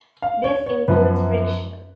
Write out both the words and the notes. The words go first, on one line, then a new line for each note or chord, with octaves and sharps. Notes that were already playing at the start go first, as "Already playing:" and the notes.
This includes friction.
F5
C#5
C#5
F#2 F3 B3 B4